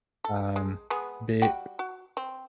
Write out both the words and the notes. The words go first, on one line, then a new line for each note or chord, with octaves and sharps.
um, Bi
A4
G#3
G#3 B3 G#4
G3 F#4 G5
F#4
C4